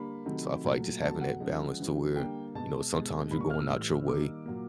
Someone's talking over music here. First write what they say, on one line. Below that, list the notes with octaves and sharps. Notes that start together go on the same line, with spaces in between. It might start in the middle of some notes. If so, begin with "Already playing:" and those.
So I feel like just having that balance to where, you know, sometimes you're going out your way
Already playing: D3 G3 A#3 B5
C3 D#3 F#3 A3
A#2 F#3 A3
B2 F#3 A3 A5
F#5
C#3 F3 G#3
C#3 E3 G3
D3 G3 A#3 G5
B2 G#3 A5
B2 G#3
A#2 G3 A#3 B5
C#6
F6
E6
A2 E3 G3
D#3 G3 A#3 D6
A#2 F#3 A#3